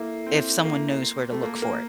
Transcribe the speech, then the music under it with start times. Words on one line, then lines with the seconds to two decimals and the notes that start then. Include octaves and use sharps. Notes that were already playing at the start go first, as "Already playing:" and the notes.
if someone knows where to look for it,
Already playing: A#3 E4 A4 E5
0.27 C4
0.65 A#3
1.32 A3
1.43 A#3
1.62 A#3